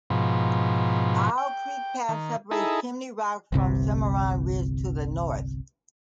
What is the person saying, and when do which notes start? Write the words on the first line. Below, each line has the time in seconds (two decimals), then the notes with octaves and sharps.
Owl Creek Pass separates Chimney Rock from Cimarron Ridge to the north.
0.10 G#2 B2 F3
1.38 G5
2.09 D#3
2.51 D#4 E4 G#4 A4
3.52 G1 C2 C3